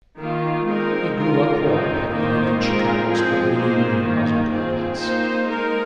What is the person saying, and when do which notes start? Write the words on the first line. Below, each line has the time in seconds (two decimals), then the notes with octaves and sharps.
He grew up poor, having lived in Chicago's Cabrini-Green housing complex.
0.17 D#3 A#3 F4
0.66 G#3 C4 D#4 A#4
1.14 G#3 F4 A#4
1.62 D#3 C4 D#4
2.10 D#3 A#3 D#4 C5
2.57 G#3 C4 F4 A#4
3.06 F3 G#3 C4 G#4
3.53 A#3 D#4 G#4 C5
4.02 D#3 A#3 D#4
4.49 C4 F4 G#4
4.96 A#3 D#4 C5
5.45 G#3 D#4 A#4